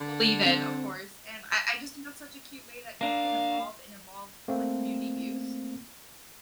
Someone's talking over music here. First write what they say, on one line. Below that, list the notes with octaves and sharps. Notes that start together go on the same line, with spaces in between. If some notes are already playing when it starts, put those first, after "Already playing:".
believe in, of course, and I I just think that's such a cute way that you can evolve and evolve, like, community views.
D3
C4
A#3 D4 F5
A3 A#3 C4